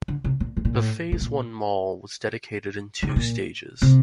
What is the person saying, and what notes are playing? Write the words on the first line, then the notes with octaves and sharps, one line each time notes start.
The Phase One mall was dedicated in two stages.
D3
C3
A#2
A2
A#2
A2
A2
A#2
D3
C3
A#2
C3